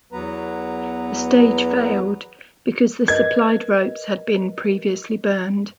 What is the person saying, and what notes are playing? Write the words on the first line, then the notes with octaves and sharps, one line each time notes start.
The stage failed because the supplied ropes had been previously burned.
E2 F#3 B3 B4 A#5
A#4 B4 D#5 G#6